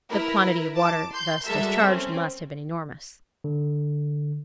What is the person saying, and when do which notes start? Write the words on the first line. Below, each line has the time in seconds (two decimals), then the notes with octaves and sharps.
The quantity of water thus discharged must have been enormous.
0.11 E4 A#4 B4
0.75 A5 D6
1.12 C6 G6
1.46 G3 G#3 F#4 A4 A#4 E5
1.81 C4 C#4
3.44 D3